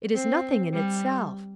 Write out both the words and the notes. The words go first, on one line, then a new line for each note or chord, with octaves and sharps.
It is nothing in itself.
C4
G3